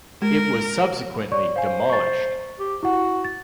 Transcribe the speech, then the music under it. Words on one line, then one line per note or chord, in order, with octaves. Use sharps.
It was subsequently demolished.
G#3 A#4
C#5 D5 C#6
C5 F5 G#5
C#6 A6
G4
E4 F#4 F#5
A6